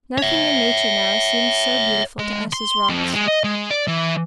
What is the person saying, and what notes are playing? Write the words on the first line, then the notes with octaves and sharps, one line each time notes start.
Nothing in nature now seemed so beautiful to us as rocks.
C#5 E5
G#3
C6
F2
G#3
D#5
G#3
D5
E3